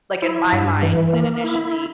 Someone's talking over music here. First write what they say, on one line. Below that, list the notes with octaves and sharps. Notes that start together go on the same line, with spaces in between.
like, in my mind, when it initially
E4
G2
E3
A#3
E4